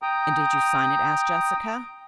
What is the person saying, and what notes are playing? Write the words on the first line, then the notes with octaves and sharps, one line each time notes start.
"And did you sign it?" asked Jessica.
G5 A#5 D#6